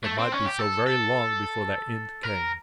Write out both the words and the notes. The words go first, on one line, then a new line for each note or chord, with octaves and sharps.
It might be so very long before that end came.
A3
C4
C#4
G4
A4
A4
A#4